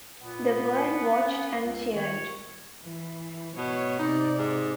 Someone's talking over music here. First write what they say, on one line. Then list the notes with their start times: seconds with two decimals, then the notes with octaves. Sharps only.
The world watched and cheered.
0.21 A#2 B3
1.26 C#4
1.59 C#2
1.94 D#3 C#5
2.83 E3
3.57 B2 C#5
3.99 C3 D#4 D5
4.38 G#2